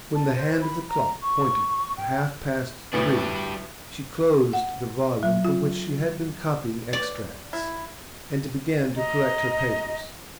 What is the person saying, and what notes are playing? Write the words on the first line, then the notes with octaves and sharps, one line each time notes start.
When the hand of the clock pointed to half-past three, she closed the volume from which she had been copying extracts, and began to collect her papers.
A5
C5
B5
A#5
C#6
G5
D2 A2 G3 B3 D4
F#5
F#3
F4
D5
E4
D#5 A#5